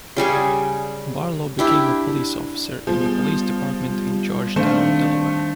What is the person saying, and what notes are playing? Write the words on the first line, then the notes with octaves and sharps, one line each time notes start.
Barlow became a police officer in the police department in Georgetown, Delaware.
C#3 G3 G#4 C#6
D4 E4 G4
F3 G3 B3 G#4
G3
D#3 A3 C4 D4 F5